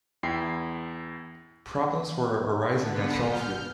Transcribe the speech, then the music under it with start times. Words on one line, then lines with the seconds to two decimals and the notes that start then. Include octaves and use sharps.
Problems were arising at Shawfield.
0.23 E2 E4 G5 C7
2.71 D3 B3
3.16 F6 G6